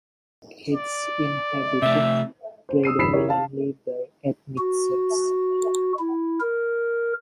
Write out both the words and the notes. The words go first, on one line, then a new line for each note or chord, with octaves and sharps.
It is inhabited predominantly by ethnic Serbs.
D5
C3 A3 E5
C5
D#6 E6 C7 D#7
G#1 F2 B5 B6 C7 E7
E4 G4 A#4 C#5
F5 A5
F#4
E4
A#4